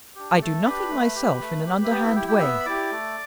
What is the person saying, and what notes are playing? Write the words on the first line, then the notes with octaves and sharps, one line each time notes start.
I do nothing myself in an underhand way.
D4 G4
A3 A4
D4 G4 B4 B5
A3
G4
A3
G4
E5
B3 G4 G5
E4 E5
E4 G4 G5
G4 G5
B3 E5 E6
B5
E4 G4 D5 D6
A3